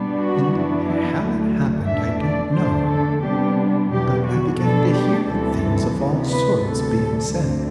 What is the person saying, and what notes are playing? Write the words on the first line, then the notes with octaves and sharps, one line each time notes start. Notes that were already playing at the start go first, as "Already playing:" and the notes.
And how it happened I don't know, but I began to hear things of all sorts being said.
Already playing: B2 G3 B3 D4
F#4
F#2 E3 B3 D4
E4
D2 D3 F#3 A3
E2 B2 A3 D4 E5
D5
E2 D3 A3 D4 C5
A4
C3 G3 B3 D4 G4
E2 B2 F#3 G4
F#4
B2 G3 D4 A4
G4
D2 C3 E3 G3 A4
D2 C3 E3 G3 B3
B4
D2 C3 G3 A4
D2 D3 A3 C4